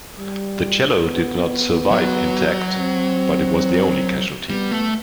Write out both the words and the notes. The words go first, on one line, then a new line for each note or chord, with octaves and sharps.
The cello did not survive intact, but it was the only casualty.
G3
B3
F#3
C4
G3 B3
A3